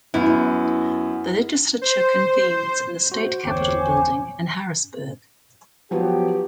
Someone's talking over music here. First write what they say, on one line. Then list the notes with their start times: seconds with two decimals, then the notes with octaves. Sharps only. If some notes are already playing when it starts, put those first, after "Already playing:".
The legislature convenes in the State Capitol building in Harrisburg.
0.14 F#2 B3 E4
1.82 C5
3.12 F#4 C5
3.44 G1 E2 C5 C#5 G5 D6
3.78 G#5
5.91 F3 F#3 B3 G4